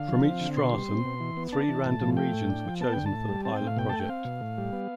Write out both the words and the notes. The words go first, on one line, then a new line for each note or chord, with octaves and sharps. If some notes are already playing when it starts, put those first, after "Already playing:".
From each stratum, three random regions were chosen for the pilot project.
Already playing: D3 F5
F3
C4
D3
B2 C6
G3
C4
B2
E3
B3
D4 A5
E3
A2
F3
A3 G5
A2
D4
F3
B3 A5
D3 G5
A5
A2
G3
C4 A5
A2 G5
F5
B2 G5
A3 A5
G5
C4 F5
B2
A2
G3
B3